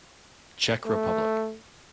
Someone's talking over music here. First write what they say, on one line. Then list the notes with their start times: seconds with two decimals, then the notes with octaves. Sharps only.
Czech Republic.
0.86 A3